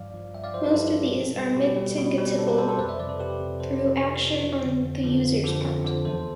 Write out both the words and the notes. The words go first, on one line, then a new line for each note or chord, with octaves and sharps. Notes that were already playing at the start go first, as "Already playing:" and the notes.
Most of these are mitigatible through action on the users' part.
Already playing: G2 F3 D5 F5
F3
G2 E5 G5
D5 F5
F3 C5 E5
G4 B4
G2 A4
F3
B2
G3
B2 G4
G3
B2
G3
B2 A4
G4 B4
G3 A4 C5
A4 C5
F2 B4 D5
C5 E5
C3 F3 B4 D5
A4
F2 G4 B4
C3 F3
F2 A4 C5
C3 F3
F2
C3 F3
F2
D3 F3
F2
D3 F3
F2
D3 F3
F2
D3 F3
E2 A4 C5